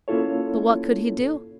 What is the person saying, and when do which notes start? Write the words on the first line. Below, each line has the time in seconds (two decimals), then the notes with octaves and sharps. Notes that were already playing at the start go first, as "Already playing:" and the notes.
But what could he do?
0.08 A#3 C#4 E4 F4 A4 C#5